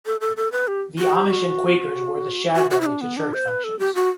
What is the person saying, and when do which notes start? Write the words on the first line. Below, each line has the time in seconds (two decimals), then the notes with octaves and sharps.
The Amish and Quakers wore the shadbelly to church functions.
0.06 A4
0.21 A4
0.37 A4
0.52 B4
0.68 G4
0.99 F#4
1.15 G4
1.30 F#4
2.56 F#4
2.71 F#4
2.81 E4
2.86 D4
3.01 B3
3.17 D4
3.34 C5
3.48 B4
3.64 A4
3.79 G4
3.95 F#4